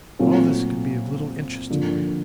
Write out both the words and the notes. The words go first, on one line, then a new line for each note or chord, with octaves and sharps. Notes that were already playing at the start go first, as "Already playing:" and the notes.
But all this can be of little interest to the reader.
A#2 F#3 A3 C4 F4
D3 F3 A#3 D4 F4